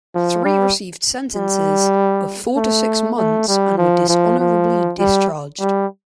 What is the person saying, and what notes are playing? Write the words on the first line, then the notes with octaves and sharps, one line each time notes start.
Three received sentences of four to six months and were dishonorably discharged.
F3
G3
G3
A3
A3
G3
F3
F3
F3
G3
G3